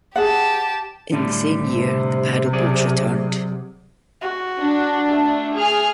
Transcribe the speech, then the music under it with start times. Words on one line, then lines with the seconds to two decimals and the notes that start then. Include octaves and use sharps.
In the same year, the paddle boats returned.
0.16 G4 G#4 F#5 A5
1.12 A2 D3 G3
1.64 C3
2.53 F#3 G#4 D5
4.21 F#4
4.59 D4
5.10 A3
5.56 G#4 F6